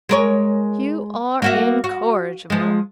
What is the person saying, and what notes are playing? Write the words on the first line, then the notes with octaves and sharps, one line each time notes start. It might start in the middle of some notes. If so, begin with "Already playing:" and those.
"You are incorrigible!"
G#3 A#4 C#5
A#3 F#4 E5
F#4
F3 G#3